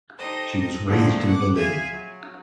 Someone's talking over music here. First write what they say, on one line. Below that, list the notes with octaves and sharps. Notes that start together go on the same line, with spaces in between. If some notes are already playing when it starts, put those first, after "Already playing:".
She was raised in Berlin.
D#4 G4 A4 C5 D#5
A#2 D3 D#3 F3 F#3 A3
F#5 D6
F4 G#4 E5 G#5
F#3